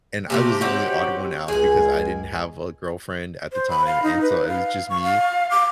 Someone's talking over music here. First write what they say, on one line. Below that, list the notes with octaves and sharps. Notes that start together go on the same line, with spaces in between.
and I was the only odd one out because I didn't have a girlfriend at the time, and so it was just me.
C3 F3 A3 A#3 G4
C4 D#4 F#4 C#5
C#2 G#4 G#5 G#6
C5
B5
F5
D#4
B4
F5
C#6
F5
D6